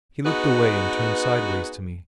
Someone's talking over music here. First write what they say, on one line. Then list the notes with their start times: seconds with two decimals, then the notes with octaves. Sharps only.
He looked away and turned sideways to me.
0.25 B3 D#4 F#4 G#4 B4